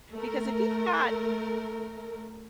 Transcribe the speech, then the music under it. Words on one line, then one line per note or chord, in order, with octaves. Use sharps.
because if you've got
A3 A#4